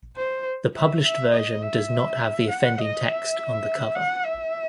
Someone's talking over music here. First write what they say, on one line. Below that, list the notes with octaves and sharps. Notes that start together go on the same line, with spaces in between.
The published version does not have the offending text on the cover.
C5
E5
E5
D#5
E5
F#5
D#5
E5
F#5
E5